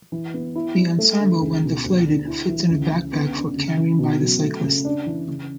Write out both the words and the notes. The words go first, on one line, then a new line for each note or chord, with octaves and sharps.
The ensemble, when deflated, fits in a backpack for carrying by the cyclist.
E3
B3
E4
G3
A3
D3
C#2
B2
D2
D3
E4
E3
C#2
C#3
B3
D3
C#3
E3
B2
F#3
A3
C#3
D4
E3
C#3